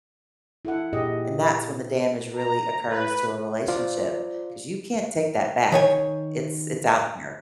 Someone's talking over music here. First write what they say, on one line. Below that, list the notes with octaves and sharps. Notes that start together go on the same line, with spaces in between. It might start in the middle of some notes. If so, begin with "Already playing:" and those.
and that's when the damage really occurs to a relationship 'cause you can't take that back, it's it's out there.
E4 A4 F#5
A#2 G4 G#4 D#5
A#5
B4
F4 C5 D5
D#3 C#5 G#5